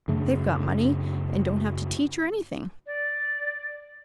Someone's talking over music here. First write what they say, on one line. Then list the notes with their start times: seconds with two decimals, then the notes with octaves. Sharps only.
They've got money, and don't have to teach or anything.
0.08 F#2 C#3 A3 D4
2.86 D5